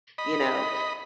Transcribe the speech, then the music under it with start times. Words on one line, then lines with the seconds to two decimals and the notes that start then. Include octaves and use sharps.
you know?
0.18 D#5 B5